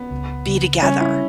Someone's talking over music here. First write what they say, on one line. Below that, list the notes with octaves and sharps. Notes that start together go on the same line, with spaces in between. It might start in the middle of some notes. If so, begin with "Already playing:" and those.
be together,
Already playing: B3 C#4
C#2
C#3
G3 C#4
E4